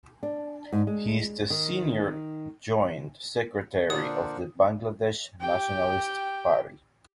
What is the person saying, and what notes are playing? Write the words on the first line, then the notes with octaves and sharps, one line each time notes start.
He is the Senior Joint Secretary of the Bangladesh Nationalist Party.
D4
G#2
G#3
D#3
A#2 D3 D4 A#4 C5 F#5 D#6
G4 G5